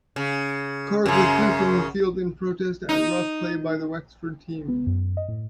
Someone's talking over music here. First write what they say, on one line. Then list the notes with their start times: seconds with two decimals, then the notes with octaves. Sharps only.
Cork withdrew from the field in protest at rough play by the Wexford team.
0.16 C#3
1.06 F#2 C#3
2.89 D#4
4.68 B3
4.87 F#2
5.17 D#5
5.28 A2